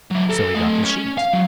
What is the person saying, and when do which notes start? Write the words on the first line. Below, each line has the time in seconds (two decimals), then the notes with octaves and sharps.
So he got the sheet.
0.11 F#3 E4
0.29 A4 A#5
0.55 A3 D#5
0.83 C#4
1.18 F5
1.33 F#3